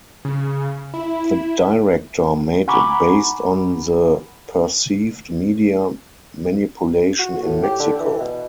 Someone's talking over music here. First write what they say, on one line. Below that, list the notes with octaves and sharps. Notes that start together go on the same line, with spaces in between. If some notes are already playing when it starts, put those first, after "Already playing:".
The director made it based on the perceived media manipulation in Mexico.
C#3
E4
F#5 G#5 A#5 B5 C#6 D6
F#4
A2
G4
D3
E3
B2